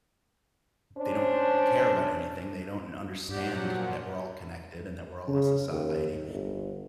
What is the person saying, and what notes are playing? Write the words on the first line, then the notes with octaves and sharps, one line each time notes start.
they don't care about anything, they don't understand that we're all connected and that we're all a society,
C#4 D4 C5
G2 A#2 F3 F#3 G4 D5 F#5
C#3
D#2
G1